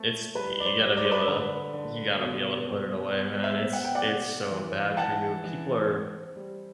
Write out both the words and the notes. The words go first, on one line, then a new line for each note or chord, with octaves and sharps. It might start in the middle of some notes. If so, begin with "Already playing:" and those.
It's You gotta be able to You gotta be able to put it away, man, it's it's so bad for you. People are
Already playing: A3 C4
G3 B4
D5
C5
G3
D5
C5
B4 D5
D3 B4
D3
B2
C4
B3 C5
C5 E5
B3
F#5
G5
D5 F#5
C3
E3
E3 F#5 A5
E3
C4
G3